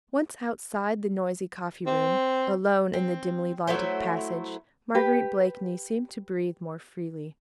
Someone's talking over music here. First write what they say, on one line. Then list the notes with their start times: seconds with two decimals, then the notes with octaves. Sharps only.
Once outside the noisy coffee-room, alone in the dimly-lighted passage, Marguerite Blakeney seemed to breathe more freely.
1.86 C4
2.93 C4
3.67 F#3 A3 E4 C5
4.95 G4 B4